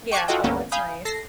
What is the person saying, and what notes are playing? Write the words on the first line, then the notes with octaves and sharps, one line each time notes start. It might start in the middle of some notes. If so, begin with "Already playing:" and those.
Yeah. Oh, that's nice.
G5 C#6 D6 F#6 G#6
F4 F#4 A4 D#5 G5
C#2 G2 D3 A#3 B3 C#4
F5 G#5 B5 D#6 G6
A4 A#6 C7